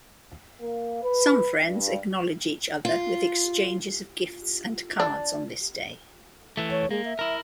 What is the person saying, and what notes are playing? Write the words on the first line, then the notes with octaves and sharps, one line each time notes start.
Some friends acknowledge each other with exchanges of gifts and cards on this day.
A#3
B4
G2
F4
D4
E3 A3
C#5
G#3 A#3
E5
E4 A#4